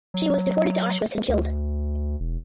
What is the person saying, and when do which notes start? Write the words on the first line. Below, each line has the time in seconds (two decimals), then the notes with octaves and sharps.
She was deported to Auschwitz and killed.
0.14 F#3
1.29 D2
2.20 E1